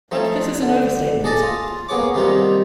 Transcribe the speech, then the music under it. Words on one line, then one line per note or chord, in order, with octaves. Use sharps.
But this is an overstatement.
F3 A3 D#4
D3
G#4 A4 D5 D#5 G#5 A5
F4 D#6
A#3 B3 G#4 C#5 D6
C3 D#3 G3 D#4 F4